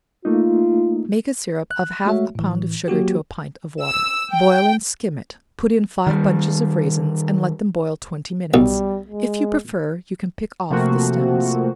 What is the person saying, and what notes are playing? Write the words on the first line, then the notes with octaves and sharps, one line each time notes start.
Make a syrup of half a pound of sugar to a pint of water, boil and skim it; put in five bunches of raisins, and let them boil twenty minutes; if you prefer, you can pick off the stems.
A3 A#3 D#4 F4
F#6
G#3 A3 F#4 C#5 E5
A2 E3
F#3 A#3 F#4 G4
E6
G5
D#3 G3
B1 G3
G#3
C3 F3 A3 A#3 C4 F#4